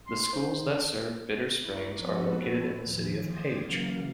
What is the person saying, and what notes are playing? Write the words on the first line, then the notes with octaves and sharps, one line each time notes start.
The schools that serve Bitter Springs are located in the city of Page.
C6
C6
D#4 C5
D4
E4 D5 A#5 B5 C#6
F3 B3 C4 F#4 A4 B4
D#2 A2 E3 F3
G5 C6 D6 D#6 G#6 A6
C#3 E3 F#3 A#3 F5